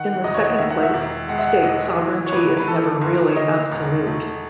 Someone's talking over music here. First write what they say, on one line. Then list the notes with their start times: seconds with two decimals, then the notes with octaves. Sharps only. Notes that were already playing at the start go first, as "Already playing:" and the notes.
In the second place, state sovereignty is never really absolute.
Already playing: D#3 F#5
0.24 E1 D#5
0.34 C#5
0.44 D#5
0.58 D#3 E5
0.71 F#5
0.83 E5
0.94 E1
1.29 G#3 F#5
1.38 E5
1.47 F#5
1.62 B1 D#5
1.97 E3
2.26 C#5
2.32 G#1 B4
2.57 B4
2.67 E3 A4
3.02 F#1
3.29 C#5
3.36 D#3 D#5
3.72 E1
4.07 A3